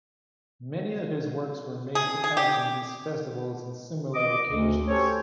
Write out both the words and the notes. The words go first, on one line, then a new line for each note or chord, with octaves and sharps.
Many of his works were made to act in these festivals and similar occasions.
G#4
G#4
G4
D#5 D6
D2
C#4 G4 A4 C5 C#5